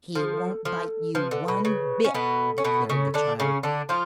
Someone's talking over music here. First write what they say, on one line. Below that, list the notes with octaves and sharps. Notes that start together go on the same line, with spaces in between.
"He won't bite you one bit," declared the child.
F3 A4
G#4
A4
F3 A4
F3 B4
D3
B2
C#3
C#4
B2 B3 A4
C#4
B2 B3
C#3 C#4
D3 D4
C#3 C#4
D3 D4
F3 F4